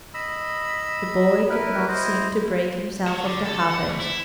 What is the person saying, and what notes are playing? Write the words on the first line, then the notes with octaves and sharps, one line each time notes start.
The boy could not seem to break himself of the habit.
D#5 B5 E6
E4 A#4 B4
E4 C5 D#5
F#3
D3
A4
F#5
D2
E4